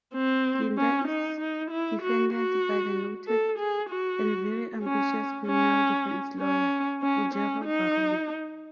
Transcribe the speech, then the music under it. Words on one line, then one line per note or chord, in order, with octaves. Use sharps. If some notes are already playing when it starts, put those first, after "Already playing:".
Linda is defended by the noted and very ambitious criminal defense lawyer Ruggero Barone.
C4
C#4
D#4
D#4
E4
F#4
F#4
A4
G#4
F#4
C#4
C#4
C#4
C#4
C#4
D#4